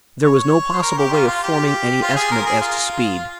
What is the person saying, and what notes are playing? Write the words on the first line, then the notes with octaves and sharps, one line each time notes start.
There was no possible way of forming any estimate as to speed.
C#5
C5
A#4
G4
F4
F4
G4
F4
G#4
A#4
G#4
F4